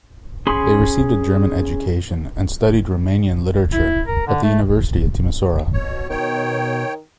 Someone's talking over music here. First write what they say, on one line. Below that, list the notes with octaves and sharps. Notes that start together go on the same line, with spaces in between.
They received a German education and studied Romanian literature at the University of Timisoara.
C#4 G#4 B5 C6
E4
A#4
D3
A3
B2 C#5
B2 D#3 C#5 G5